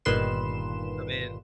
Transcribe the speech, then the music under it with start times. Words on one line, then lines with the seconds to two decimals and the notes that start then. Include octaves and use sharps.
I mean,
0.05 G1 A#2 D#3 B4 C6 E7